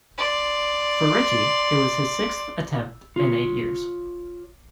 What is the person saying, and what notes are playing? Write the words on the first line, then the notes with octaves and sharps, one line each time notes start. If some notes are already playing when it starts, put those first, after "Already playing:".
For Richie, it was his sixth attempt in eight years.
D5 C6
F4 C#5